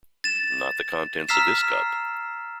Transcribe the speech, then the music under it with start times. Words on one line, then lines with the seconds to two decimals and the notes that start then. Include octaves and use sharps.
Not the contents of this cup.
0.24 A6 E7
1.29 A#5 E6 F6 B6 C7 E7